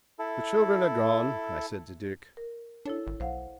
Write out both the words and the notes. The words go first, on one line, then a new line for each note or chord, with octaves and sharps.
"The children are gone," I said to Dick.
E4 A4
A#4
D4 E4 A4 C#5
G#1
B1 C5 F5 F#5